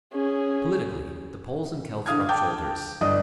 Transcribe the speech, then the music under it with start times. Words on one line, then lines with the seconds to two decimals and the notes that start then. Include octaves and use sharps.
Politically the Poles and Celts rub shoulders.
0.14 C#4 G#4
2.06 D3 F5 D#6 F6 G#6
2.29 G5 A5 D6 G6
3.01 G1 D5 D#5 D#6